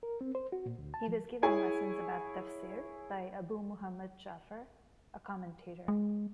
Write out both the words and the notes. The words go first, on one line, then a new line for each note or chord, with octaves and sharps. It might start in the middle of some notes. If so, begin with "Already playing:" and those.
He was given lessons about Tafsir by Abu Muhammad Ja'far, a commentator.
A#4
C4
C5
F#4
A#2
D2
A5
F3
E4 G#4 C#5 G#5
G#3